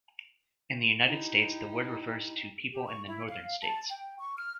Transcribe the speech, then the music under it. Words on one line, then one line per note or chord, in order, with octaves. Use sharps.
In the United States, the word refers to people in the Northern states.
D#4 E4 G4
G4
C#6
E4
F5
A5
G5
C#6
F6